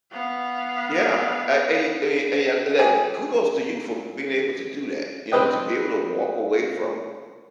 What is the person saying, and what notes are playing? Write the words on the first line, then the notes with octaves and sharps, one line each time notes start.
Yeah. I and y and y and y and, like, k kudos to you for b being able to do that. You know, to be able to walk away from
B3 F5
G4 G#4
C4 B4 D#5 G5